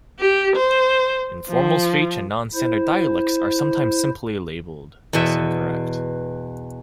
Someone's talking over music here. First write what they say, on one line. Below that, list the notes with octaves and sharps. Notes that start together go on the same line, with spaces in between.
Informal speech and non-standard dialects are sometimes simply labelled as incorrect.
G4
C5
F3
E4 C5
E2 B2 E5